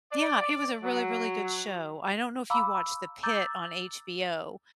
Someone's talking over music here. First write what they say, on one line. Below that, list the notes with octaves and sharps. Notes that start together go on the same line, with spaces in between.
yeah, it was a really, really good show. I don't know if you watched The Pitt on HBO,
D5
F#3
F5 A#5 B5 D6 E6
A#5 D6 E6 G6 A6